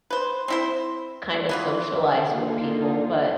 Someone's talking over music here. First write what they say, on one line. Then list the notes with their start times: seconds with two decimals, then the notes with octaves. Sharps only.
kind of socialize with people, but
0.10 B4 C5
0.48 C4 E4 C5
1.49 E3 B3 F4
2.27 D3 A#3 D#4 F4